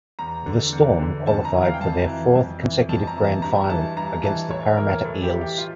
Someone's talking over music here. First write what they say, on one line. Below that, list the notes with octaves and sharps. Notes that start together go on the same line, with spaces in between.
The Storm qualified for their fourth consecutive grand final, against the Parramatta Eels.
E2 A#5
D3
E2
D3
F2 A5
A#5
E3
F5
G5
F2 A5
E3
F2
E3
F2 A5
A#5
E3
A5
G2 A#5
E3 A5
G2 A#5
E3 A5
A2 C#5
E3 A#4
A2 A4
G4
E3
G4
F4